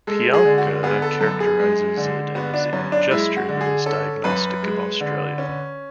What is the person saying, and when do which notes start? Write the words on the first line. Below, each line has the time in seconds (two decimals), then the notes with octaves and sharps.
Pianka characterizes it as a gesture that is "diagnostic of Australia".
0.07 G#3 A4
0.33 G#4
0.45 D3
0.58 F#4
0.83 B3 G#4
1.02 A4
1.21 F#2 A4
1.40 G#4
1.59 G#3
1.97 D3
2.35 B3 F#4
2.54 D4
2.73 F#2 C#4
2.92 D4
3.11 G#3 E4
3.37 F#4
3.49 D3
3.61 G#4
3.86 C#4 A4
4.24 F#2 B4
4.63 G#3
5.00 D3
5.38 C#4